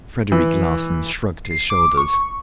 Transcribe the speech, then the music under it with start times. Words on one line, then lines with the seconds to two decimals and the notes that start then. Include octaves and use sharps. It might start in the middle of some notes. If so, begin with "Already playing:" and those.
Frederic Larsan shrugged his shoulders.
0.32 E3
1.45 C7
1.70 D6
1.97 C#6